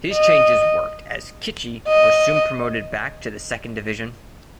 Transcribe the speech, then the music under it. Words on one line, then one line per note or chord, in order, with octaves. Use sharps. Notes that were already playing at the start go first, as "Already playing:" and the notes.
His changes worked as Kitchee were soon promoted back to the Second Division.
D#5
D#5